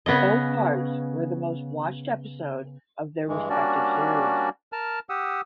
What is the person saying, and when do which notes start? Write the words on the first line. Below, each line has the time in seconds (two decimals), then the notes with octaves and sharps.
Both parts were the most watched episode of their respective series.
0.06 C#3 B3 C#4 D#5
3.28 G2 E3 G#3
3.49 G3 A#3 C#4 D4 F#4 D5
4.72 A#4 A5 F6
5.09 G4 F#5 D#6 E6